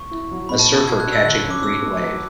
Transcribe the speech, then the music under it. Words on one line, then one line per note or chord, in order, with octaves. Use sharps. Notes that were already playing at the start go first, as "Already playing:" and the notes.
A surfer catching a green wave.
Already playing: C#6
E4
F#3
B3 B5
A5
B2 B5
E6
F#4 G#6
F#6
D4
E6
D3 F#6
C#4
D6
A3 E6
A3
F#3